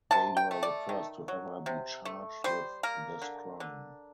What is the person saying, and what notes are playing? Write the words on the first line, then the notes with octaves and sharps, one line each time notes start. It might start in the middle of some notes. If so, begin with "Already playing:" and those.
They were the first to ever be charged with this crime.
C3 A5
G5
A3
D5
D#3
F#3
C3
A3
G3 C5
A#3 A#4
D3
D3